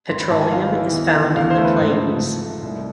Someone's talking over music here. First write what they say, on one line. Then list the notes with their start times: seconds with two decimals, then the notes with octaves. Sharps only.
Petroleum is found in the plains.
0.09 G#1 C6
0.20 B5
0.30 G#2 A5
0.41 G#5
0.51 G#1 F5
0.73 E3
0.94 E2
1.15 D3
1.36 E2 F5
1.50 C5
1.57 A3
1.64 B4
1.79 G#2 C5
2.00 F3
2.20 G#2
2.42 A3
2.63 C2